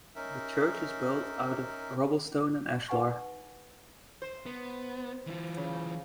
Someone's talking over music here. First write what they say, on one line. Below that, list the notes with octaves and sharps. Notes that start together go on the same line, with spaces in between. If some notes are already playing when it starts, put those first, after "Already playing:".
The church is built out of rubble stone and ashlar.
C#4 D#4 A#4 E5
D#4 B4 F#5 G#5 C#6
C5
B3
E3 F4
C#3